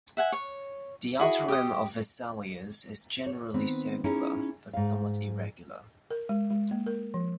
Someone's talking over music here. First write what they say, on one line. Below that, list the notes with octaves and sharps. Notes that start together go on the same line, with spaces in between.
The outer rim of Vesalius is generally circular but somewhat irregular.
E5 F#5 G#5
C#5
E4 F#4 G#4
G4 D#5 D#6
C#5
D#3 B3 C4
C#4 D#4 E4 G#4
G#2 F5
A#4
G#3
G#3
A#3
A#4
F3